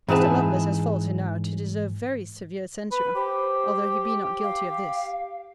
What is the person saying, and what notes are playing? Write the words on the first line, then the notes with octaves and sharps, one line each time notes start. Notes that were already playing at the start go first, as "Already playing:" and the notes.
Mr. Lovelace has faults enow to deserve very severe censure, although he be not guilty of this.
G#2 E3 C4 G#4 B4 A5
B4 B5
G4 C5
F5